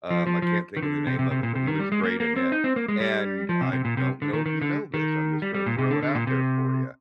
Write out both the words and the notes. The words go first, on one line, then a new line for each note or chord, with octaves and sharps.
Um, I can't think of the name of it, but he was great in it, and I don't know if you know this. I'm just gonna throw it out there for you,
F3
F3
F3
D#3
D3
C3
C3
C3
A#2
C3
D#3
G3
G#3
A#3
A#3
C4
D#4
C4
A#3
G#3
G3
F3
C3
C3
A#2
C3
D3
D#3
D#3
D3
D#3
G3
G3
A#2
C3
D3
D3
A#2
C3